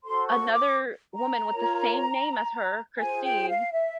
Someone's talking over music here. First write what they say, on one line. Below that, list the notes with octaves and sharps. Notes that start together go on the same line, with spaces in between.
another woman with the same name as her, Christine,
F#4 A4 C5 C6
C#6
D6
A#5
F4 A#4 C#5
F4 G#4 C5 G#5
G5
F5
E5